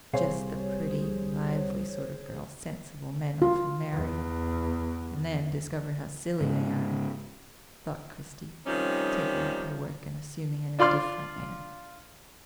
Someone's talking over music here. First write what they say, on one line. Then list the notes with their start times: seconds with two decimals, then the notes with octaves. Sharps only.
"Just the pretty, lively sort of girl sensible men often marry, and then discover how silly they are," thought Christie, taking up her work and assuming an indifferent air.
0.14 C2 C3 G#4 C5 C#5 F5
3.42 F4
3.93 E2
6.41 G#2 C#3
8.66 C3 D#3 F3 G3 C#4 D#4
10.79 D4 F4 D5 C6 F6